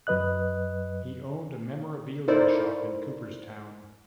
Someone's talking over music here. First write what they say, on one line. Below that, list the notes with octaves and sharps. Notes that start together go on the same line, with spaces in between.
He owned a memorabilia shop in Cooperstown.
F#2 F#3 B4 D#5 F#6
D#4 E4 A4 A#4 C5 D5